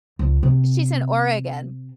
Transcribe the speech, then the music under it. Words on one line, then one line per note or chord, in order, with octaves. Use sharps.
She's in Oregon.
C#2
C3